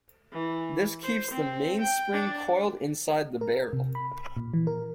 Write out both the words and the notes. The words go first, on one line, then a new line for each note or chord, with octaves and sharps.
This keeps the mainspring coiled inside the barrel.
E3
C5
C4
G5
D4
A#4
C3
B5
A#2
E3
A#4